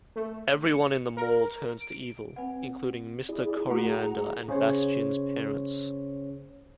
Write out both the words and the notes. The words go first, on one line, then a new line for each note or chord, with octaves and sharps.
Everyone in the mall turns to evil, including Mr. Koreander and Bastian's parents.
A3
C#7
A#4
D7
C4 B4 F#5
E4 G#4 D5
A3 E4 F#4 G#4 F#5 A#5
C#3 C#4 C5 C#5